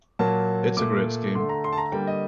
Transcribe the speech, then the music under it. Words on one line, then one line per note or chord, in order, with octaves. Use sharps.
It's a great scheme.
A#2 F#3 A#3 A5
A#2 A3 D6
D3 A3 C6
A#5
C6
A5
A#5
D3 G3 A#3 G5
D#5